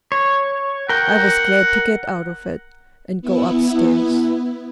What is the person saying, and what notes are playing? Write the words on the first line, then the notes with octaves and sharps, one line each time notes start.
I was glad to get out of it, and go upstairs.
C#5
A#4 F#5 G5
B3 E4